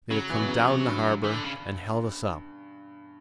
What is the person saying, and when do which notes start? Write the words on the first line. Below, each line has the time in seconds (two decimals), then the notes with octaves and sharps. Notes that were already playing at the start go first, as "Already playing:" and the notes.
They'd have come down the harbour and held us up.
0.10 C#3 F#3
0.30 E3
0.39 B2
0.48 C#3
0.68 B2
0.86 G2
1.24 E3
1.34 D3
1.43 C#3